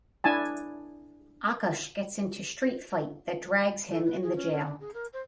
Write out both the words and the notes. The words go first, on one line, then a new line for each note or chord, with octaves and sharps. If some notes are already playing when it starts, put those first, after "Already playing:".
Aakash gets into street fight that drags him in the jail.
D4 E4 G#5 A5
A4
B4
G#4
C#4
C#4
D4
G#4
A#4
C5